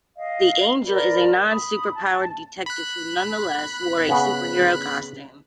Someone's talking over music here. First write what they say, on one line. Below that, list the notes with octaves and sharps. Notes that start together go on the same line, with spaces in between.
The Angel is a non-superpowered detective who nonetheless wore a superhero costume.
D#5 F5
A#4 D5 B5
B5 D#6
A5
B5 F#6
C#3 B3